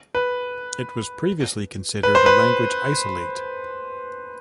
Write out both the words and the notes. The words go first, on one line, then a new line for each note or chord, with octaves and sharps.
It was previously considered a language isolate.
B4
B4
C5
B4